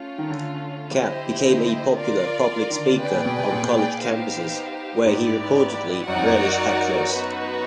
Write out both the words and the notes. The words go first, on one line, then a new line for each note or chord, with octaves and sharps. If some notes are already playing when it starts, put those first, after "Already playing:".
Capp became a popular public speaker on college campuses, where he reportedly relished hecklers.
Already playing: A3 C#4 F4
D#3
D3
E4 G4 C5 D#5
D3
F4 A#4 D5
D#3
D3
C#3
D3 G#4 B4 D5 G5
A#2
B2
C3
A#2
B2
A#2
B3 D#4 G4 C5 F5
G#2 E4 G4 B4 D5
F#2 D#4 F#4 A#4 D5 F#5
F2
F#2
B3 D#4 F#4 B4